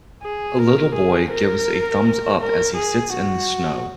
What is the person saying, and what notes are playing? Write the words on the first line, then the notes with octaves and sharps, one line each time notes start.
A little boy gives a thumbs up as he sits in the snow.
G#4
A#4
G#4
A#4
A#4
G#4
F#4